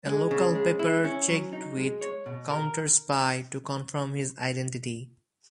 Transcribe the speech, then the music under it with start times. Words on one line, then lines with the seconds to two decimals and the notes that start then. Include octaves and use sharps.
A local paper checked with "CounterSpy" to confirm his identity.
0.06 G#3
0.31 C#3
0.55 G#3
0.79 E4
1.04 C#4
1.28 F#3
1.53 D#4
1.77 G#3
2.01 C#5
2.26 B2
2.51 A#4